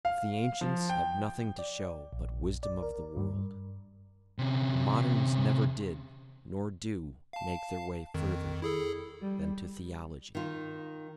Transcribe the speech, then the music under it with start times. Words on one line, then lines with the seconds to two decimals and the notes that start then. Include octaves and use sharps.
If the ancients have nothing to show but wisdom of the world, the moderns never did nor do make their way further than to theology.
0.05 F5
0.61 F3
0.89 G5
1.59 D5
2.13 A#1
2.63 D5
2.83 A#4
3.17 G2
4.39 C3 C#4
7.33 F5 A5
8.14 F2 D#3
8.62 E4 G#4 A4
9.22 G3
10.35 D#3 F4